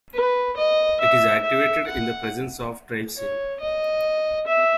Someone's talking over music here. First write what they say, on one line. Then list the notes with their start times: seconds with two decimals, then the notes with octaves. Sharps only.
It is activated in the presence of trypsin.
0.14 B4
0.57 D#5
1.00 E5
1.43 E5
1.87 F#5
3.17 C#5
3.60 D#5
4.47 E5